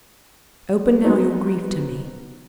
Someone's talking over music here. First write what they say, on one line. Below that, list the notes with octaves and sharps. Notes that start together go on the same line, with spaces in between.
Open now your grief to me.
F#3 B3 C4 D#4